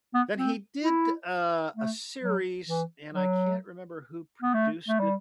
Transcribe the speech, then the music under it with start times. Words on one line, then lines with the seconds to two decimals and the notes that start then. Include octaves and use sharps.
Then he did, uh, a series, and I can't remember who produced it
0.14 B3
0.38 C4
0.84 E4
1.77 A3
2.23 F#3
2.69 E3
3.14 F#3
4.42 B3
4.54 A3
4.88 A3
5.00 G3